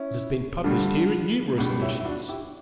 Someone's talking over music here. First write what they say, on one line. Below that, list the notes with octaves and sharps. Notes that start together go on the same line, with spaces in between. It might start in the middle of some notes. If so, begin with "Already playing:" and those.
It has been published here in numerous editions.
Already playing: C#4 E4
G2 D3 G3
C#2 B2 G3 D4
C#4 E4
E4
D4 F#4
E4 G4